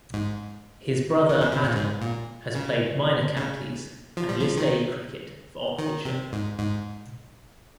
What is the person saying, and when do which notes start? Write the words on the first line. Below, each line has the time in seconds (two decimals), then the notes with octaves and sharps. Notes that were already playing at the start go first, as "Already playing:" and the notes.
His brother, Adam, has played Minor counties and List A cricket for Oxfordshire.
0.14 G#2
1.29 D#3
1.41 C#3
1.52 C3
1.64 A#2
1.75 G#2
2.01 A#2
2.55 C#3
3.36 C#3
4.17 F3
4.29 G3
4.40 F3
4.58 D#3
5.79 D#3
6.05 C3
6.33 G#2
6.59 G#2